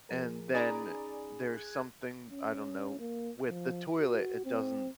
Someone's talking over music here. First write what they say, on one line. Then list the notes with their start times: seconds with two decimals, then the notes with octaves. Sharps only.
and then there's something, I don't know, with the toilet, it doesn't,
0.09 F3 G#4 A#4
0.55 C#4 D#4 G#4 D5 G#5 A#5 B5
1.53 F#6 G#6
2.30 C#4
3.00 A#3
3.49 F3
3.98 F#4
4.45 C4